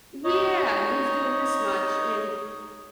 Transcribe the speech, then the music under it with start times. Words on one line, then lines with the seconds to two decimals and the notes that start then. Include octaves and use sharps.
Yeah, and who's doing this much, and
0.25 D#4 C#5 D#5